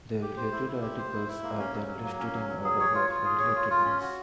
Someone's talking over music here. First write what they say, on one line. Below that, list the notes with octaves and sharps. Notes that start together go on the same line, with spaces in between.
The related articles are then listed in order of "relatedness".
G4
C5
E4
E4
G4
C5
E4
E4
A#3
C#4
F#3
F#3
A#3
C#4
F#3
F#3
G#4
C#5
F4
F4
G#4
C#5
F4
F4
C#4
F#4